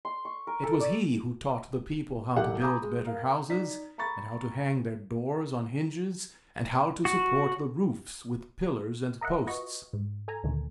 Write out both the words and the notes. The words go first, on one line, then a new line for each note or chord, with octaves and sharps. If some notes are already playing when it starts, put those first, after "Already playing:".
It was he who taught the people how to build better houses and how to hang their doors on hinges and how to support the roofs with pillars and posts.
C6
C#6
A#4
A4
D5
E1 B1 A2 G4 F#5
G#5 A#5 B5 D6 D#6 G6
G#3
A#4 F5 F6
D#4 D5 B6
A#5 B5 C#6 A6
F#4
A#4 D#5 E5 F#5
F4 F#4 B4 D#5 C#6
G#2
A4 G#5 A#5
D2 A#2 D3 D#3 A3